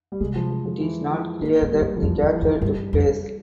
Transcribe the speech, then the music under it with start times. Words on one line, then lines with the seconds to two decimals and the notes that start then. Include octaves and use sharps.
It is not clear that the capture took place.
0.12 G3
0.21 C3 G#3
0.35 F3
0.51 F3
0.65 F3
0.81 E3
1.11 F3
1.41 G#2 A#3
1.62 G#2
1.72 G3
1.81 G2
1.97 F3
2.02 F2 E3
2.22 E2
2.32 E3
2.42 F2
2.61 G2 G3
2.93 F2